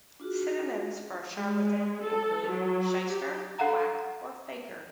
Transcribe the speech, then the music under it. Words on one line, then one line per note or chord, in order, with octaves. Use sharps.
Synonyms for "charlatan" include "shyster", "quack", or "faker".
D4 F4 F#4 G#4
G#3
A4
F#3
G4
D4 A4 F5 F#5 A#5